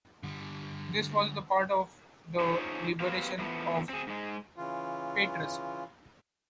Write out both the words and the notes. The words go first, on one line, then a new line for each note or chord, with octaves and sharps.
This was part of the liberation of Patras.
D3 G3
D4 D#4 F4 G#4 C5 C#5
F#3 B3 G4 C5 F5
E3 F3 A3 B3
C4 G#4
G#2 G#3
C#3 E3 F4